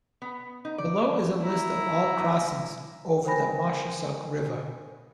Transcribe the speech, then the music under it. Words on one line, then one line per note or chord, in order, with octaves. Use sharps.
Below is a list of all crossings over the Moshassuck River.
B3
D#4
D5
E4 A#5
A#4 C5 G5 G#5 B5 A#6